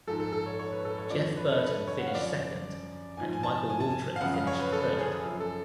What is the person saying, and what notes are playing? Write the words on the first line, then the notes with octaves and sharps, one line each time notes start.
Jeff Burton finished second and Michael Waltrip finished third.
G#2 F3 A4
A4
A4
C#5
C#5
B4
A4
C#5
F2 D3 F3 D5
C#5
B4
A4
B4
C#5
F#5
F5
F#2 F3 D5
G#2 F3 G#5
G#5
A5
G#5
A5
G#5
F5
F#2 C#3 F3 F#5
F5
C#5
B4
A4
G#4
F#2 F3
A4